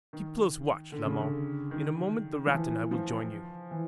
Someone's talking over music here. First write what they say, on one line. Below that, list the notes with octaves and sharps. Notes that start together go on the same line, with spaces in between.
"Keep close watch, La Mon; in a moment the Rat and I will join you."
D#3
D3
C#3
D3
D#3
F3
E3
F3
E3